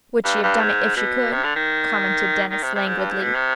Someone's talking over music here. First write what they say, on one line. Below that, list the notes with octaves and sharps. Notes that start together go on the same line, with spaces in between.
"Would she have done it if she could?" commented Denis, languidly.
G2
G2
G#2
B2
C3
D3
D#3
D#3
C3
C3
G#2
G2
G#2
B2
C3